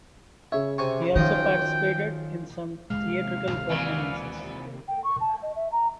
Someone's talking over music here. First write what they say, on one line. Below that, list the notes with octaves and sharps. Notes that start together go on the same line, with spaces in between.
He also participated in some theatrical performances.
C#3 C#5 E5
C3 G#5 C#6
F#2 D#3 F3 D#5 G5
D#2 C3 G#3 F5
A#2 E3 B3
G5
C#6
A5
D#5
E5
A#5